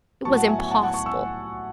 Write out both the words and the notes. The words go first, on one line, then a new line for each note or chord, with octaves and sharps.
It was impossible.
A2 F#3 B3 A5 C#6
F#5 A5
E5 G#5
E5 G#5
F#5 A5
F#5 A5
A5 C#6
C#6 E6